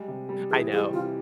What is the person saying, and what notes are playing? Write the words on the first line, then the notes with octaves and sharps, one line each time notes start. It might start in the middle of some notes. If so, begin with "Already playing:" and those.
I know.
Already playing: G3 G#3
C3
G3
E3 G#4
G3 G#4
C3 F4